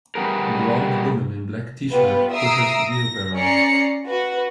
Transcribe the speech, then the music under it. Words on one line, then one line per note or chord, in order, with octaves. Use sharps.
Blond woman in black tshirt pushes wheelbarrow.
G3 B3 G#4 A#4
B3 F4 G4 B4
E5 A#5 D#6 E6 C7 D7
A#6
C#4 D5 A#5 C7 C#7
F#4 B4